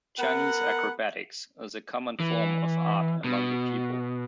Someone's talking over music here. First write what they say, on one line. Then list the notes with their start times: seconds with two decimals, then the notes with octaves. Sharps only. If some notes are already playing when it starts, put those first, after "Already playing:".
Chinese acrobatics is a common form of art among the people.
0.17 B3 A#4 F#5
2.20 E3
3.24 B2